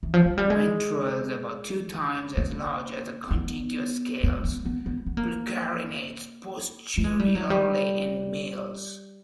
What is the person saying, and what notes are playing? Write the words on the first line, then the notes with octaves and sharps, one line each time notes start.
Ventrals about two times as large as the contiguous scales, pluricarinate posteriorly in males.
E3
F3
F#3
G3
G#3
A#3
B3
B3
B3
B3
B3
B3
A#3
A3
G#3
G3
F#3
G3